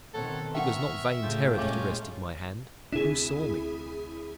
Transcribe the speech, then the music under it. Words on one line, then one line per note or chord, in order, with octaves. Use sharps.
It was not vain terror that arrested my hand. Who saw me?
B2 D#3 C4 A4 C#5 F#5
E5 F#5 G5 C#6 F6
A2 C#3 A3 F4 G4
A#2 G#3 C#4 E5 D6
D2 C3 D4 E4 G#4